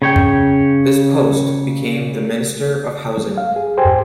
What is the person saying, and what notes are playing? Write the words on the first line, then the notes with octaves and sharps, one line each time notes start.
This post became the Minister of Housing.
C#3 C#5 G5
F5
G#4
G4 A4 C5 G5 G#5